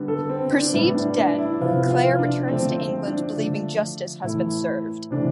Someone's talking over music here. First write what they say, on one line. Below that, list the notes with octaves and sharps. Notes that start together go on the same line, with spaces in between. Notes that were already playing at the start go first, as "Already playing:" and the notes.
Perceived dead, Claire returns to England believing justice has been served.
Already playing: D3 G3 B3
A4
C4
D4
A2 G3 B3 E4
D4
D4
E4
C3 F3 B3 F4
F4
D4
D3 F3 A3 C4
C4
D4
D3 F3 A3
A2 E3 A3 E4
C3 E3 A3 D4